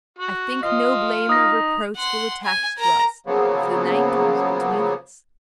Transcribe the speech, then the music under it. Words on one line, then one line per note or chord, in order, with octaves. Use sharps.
I think no blame or reproach will attach to us if the night comes between us.
F#4
F3 D#5 F5
D#4 D#6 A#6
F#5 C6
G#5
A#4 A#5
C#3 F3 F#3 A#3 B3